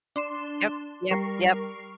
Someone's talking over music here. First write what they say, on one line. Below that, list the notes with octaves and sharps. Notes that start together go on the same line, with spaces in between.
Yep, yep, yep.
D4 C6 E7
G3 A#4 C#6 C7